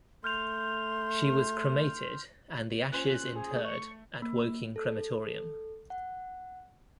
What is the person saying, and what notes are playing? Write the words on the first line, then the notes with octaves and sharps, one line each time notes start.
She was cremated and the ashes interred at Woking crematorium.
A3 C6 F6 G6 F7
A#2 C#4 C5 F#6
G#4
A3
C#6
A#3
A4
F#5